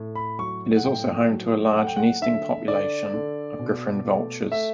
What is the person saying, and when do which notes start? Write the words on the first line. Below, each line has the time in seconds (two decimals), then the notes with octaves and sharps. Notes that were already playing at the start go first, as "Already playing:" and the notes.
It is also home to a large nesting population of Griffon vultures.
Already playing: A2
0.15 B5
0.39 F#3 C#6
0.76 F#5
0.84 A2 G5
1.30 F#3
1.76 A3 F#5
1.87 G5
1.96 F#5
2.22 D3 E5
2.68 D3 D5
3.14 D3
3.59 B2
4.05 A3
4.52 A3 E5